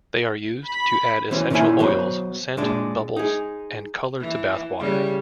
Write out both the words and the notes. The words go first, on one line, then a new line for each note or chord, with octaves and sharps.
They are used to add essential oils, scent, bubbles and color to bathwater.
B5
E3 C4 C#4
A#2 D#3 G#3 C#4 E4 G#5
F#3 B3 C5
A#2 G#3 D4
D#4 G#4
E3
C#3 G3